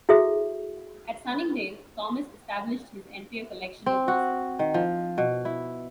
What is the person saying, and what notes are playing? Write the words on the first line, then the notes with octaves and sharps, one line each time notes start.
At Sunningdale, Thomas established his entire collection of roses.
E4 F#4 G#4 A4 E5
C4
F#4
D#3
F3
B2
E4